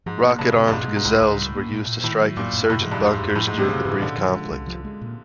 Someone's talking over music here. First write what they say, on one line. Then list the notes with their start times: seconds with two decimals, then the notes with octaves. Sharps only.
Rocket-armed Gazelles were used to strike insurgent bunkers during the brief conflict.
0.06 G#2 F3
0.23 A#3
0.39 G2 C3
0.55 C3
0.68 G2
0.72 G#2 B2
0.88 G#3
0.96 G#2
1.05 C#2 A2
1.21 C#2
1.38 G3
1.55 A#3
1.71 A#2
1.87 A#2
2.03 A2 D#3
2.21 F#3
2.37 F#2 A#2
2.53 F#2
2.70 A2 C3
2.81 G#2
2.86 F3
2.91 G2
3.03 F2 G#2
3.20 F2
3.35 A2 F3
3.47 G#2
3.53 A3
3.58 C3
3.68 G#2 C#3
3.85 G#2 E3
4.01 A#2 D3
4.18 F3
4.35 G#3
4.51 C2
4.67 F3
4.85 G#3
5.01 A#2